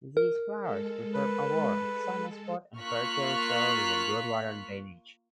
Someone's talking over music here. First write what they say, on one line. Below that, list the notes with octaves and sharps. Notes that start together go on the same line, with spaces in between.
These flowers prefer a warm, sunny spot and fertile soil with good water drainage.
A#4
G#3 A4
B4
A#3 F4 C#6 F6 F#6 B6